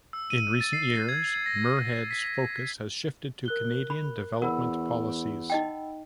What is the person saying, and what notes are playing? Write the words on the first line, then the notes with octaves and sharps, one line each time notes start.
In recent years Muirhead's focus has shifted to Canadian Development Policies.
E6
D#7
A6
C7
G#6
A#6
A#6
B6
A#4 F#6 G7
B5
E2 A#4 F#5 B5 E6
D#4 D#5 G5